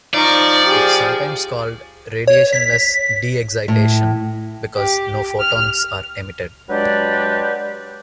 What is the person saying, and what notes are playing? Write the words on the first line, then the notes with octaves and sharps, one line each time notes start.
It is sometimes called "radiationless de-excitation", because no photons are emitted.
F3 D#4 D5 C#6
G4 G#4
C#5
B6
A2
G4
F6
F#3 G#3 D4 G4 B4 D5